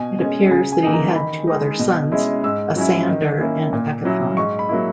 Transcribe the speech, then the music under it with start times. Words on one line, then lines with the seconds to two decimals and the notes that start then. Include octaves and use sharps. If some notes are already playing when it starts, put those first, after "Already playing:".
It appears that he had two other sons, Asander and Agathon.
Already playing: B2 G#5
0.19 G#3 C#4
0.51 C#3 G#5
0.72 G#5
0.83 E3 A#3 D#4
0.94 A#5
1.15 D#3 B5
1.47 G#3 D#4
1.79 B2
2.12 G#3 C#4 E4
2.44 G#2 E6
2.76 F#3 C#4 E4
3.09 D#3
3.41 A#3 C#4 E4
3.73 A#2
4.05 F#3 C#4 E4
4.37 G#2 C#6
4.59 B5
4.69 F#3 A#3 E4